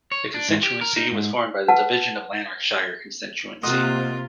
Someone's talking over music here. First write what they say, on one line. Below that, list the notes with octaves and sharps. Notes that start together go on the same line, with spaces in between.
The constituency was formed by the division of Lanarkshire constituency.
C#5
D4
G#2
G4
A#4
D#4
G#2
B4 F#5 A5
C3 A#3 F4 C5 D#5 F#5